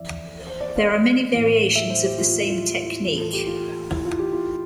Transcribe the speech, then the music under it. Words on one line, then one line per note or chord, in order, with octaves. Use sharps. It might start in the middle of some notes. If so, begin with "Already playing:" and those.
There are many variations of the same technique.
Already playing: F2 E3 D5 E5
C5
D5
F5
A2 E3
E5
C5
G4
F4
F4
E4
F4
E4
E4
A2 E3 F4
A4
G4
F4
E4
F4
G4
F4